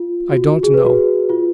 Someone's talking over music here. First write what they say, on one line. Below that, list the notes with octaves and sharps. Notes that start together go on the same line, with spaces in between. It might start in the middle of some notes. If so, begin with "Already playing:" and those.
'I don't know.
Already playing: F4
F#4
G#4
B4
F#4
F4